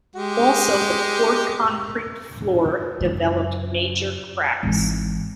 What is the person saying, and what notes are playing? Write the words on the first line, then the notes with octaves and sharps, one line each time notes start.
Also the poured concrete floor developed major cracks.
G#3 G4
F#2 C#3
G#1 E3